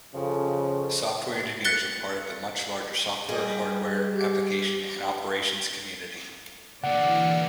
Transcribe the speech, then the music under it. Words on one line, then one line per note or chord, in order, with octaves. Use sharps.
Software engineers are part of the much larger software, hardware, application, and operations community.
F2 C#3 F3
F#6 A6 C#7 G7
G3 G#4 D#5
G4
D3 E3 A#3 D5 F#5 F6 C#7